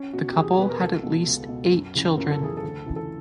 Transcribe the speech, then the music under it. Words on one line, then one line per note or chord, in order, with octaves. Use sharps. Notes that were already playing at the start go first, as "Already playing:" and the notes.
The couple had at least eight children.
Already playing: C#4
B2 F#4
G4
E2 G#4
B2 B4
A#4
C#2 A4
B2
C#2
B2
F#2
C#3 E3
F#2 A#4
A4
C#3 E3 G#4
A4
D2
C#3 E3
A4